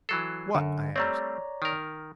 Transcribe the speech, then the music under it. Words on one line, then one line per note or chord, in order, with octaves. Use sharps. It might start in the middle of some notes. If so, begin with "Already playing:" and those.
"What?" I asked.
E3 F#3 A4 C7
F#2 D3
G3 A3 C4 C#5 D5 A#5
D#3 A#4